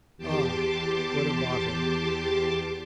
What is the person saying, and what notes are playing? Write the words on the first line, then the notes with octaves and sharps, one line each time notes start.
Ah! what a bottle!
E2 G4 A5 C6 D6